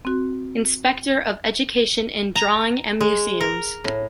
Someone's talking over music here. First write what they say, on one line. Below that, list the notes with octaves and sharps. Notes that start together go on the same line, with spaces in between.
Inspector of education in drawing and museums.
C4 F#4
A#5
G#3
A#4
A2